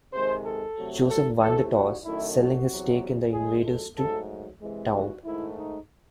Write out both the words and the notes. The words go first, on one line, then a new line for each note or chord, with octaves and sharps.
Joseph won the toss, selling his stake in the Invaders to Taube.
C3 D#3 G#3 C5
A4
C3 F#3 A3
A4
C3 E3 A3 A4
F#4
F#2 D#3 A3 E4
F#4
E2 C3 F#3
A2 G#3 G#4
A4
G#2 F#3 A3 A4
C3 E3 G#3
F#4
G#2 D#3 A3 E4
D#4